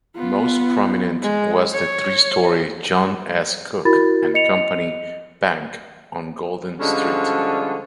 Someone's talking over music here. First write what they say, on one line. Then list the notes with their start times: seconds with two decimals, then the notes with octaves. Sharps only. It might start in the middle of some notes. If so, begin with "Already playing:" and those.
Most prominent was the three-story John S. Cook and Company Bank on Golden Street.
0.16 B3 F4
1.22 G#3
1.72 C#5
3.85 E4 F#4 A#4 B5 A6
4.34 D#5 C#7 F7
6.80 D3 F3 G3 G#3 C#4 D4